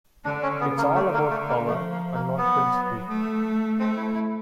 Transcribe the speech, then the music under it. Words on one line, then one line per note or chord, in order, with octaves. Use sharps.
It's all about power and not principle.
D3 D4
C#4
C#3 B3
A#3
D3 A3
A#3
A3
A#3
F3 A3
A#3
A#3
F#3 B3
A3
A3 C4
E4
E4